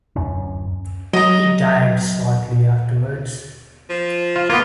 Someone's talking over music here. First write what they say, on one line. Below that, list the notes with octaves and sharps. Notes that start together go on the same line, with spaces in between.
He died shortly afterwards.
D1 F#2 C#4
F#3 D#5 A#5
F3
F4
A#3 B3 F4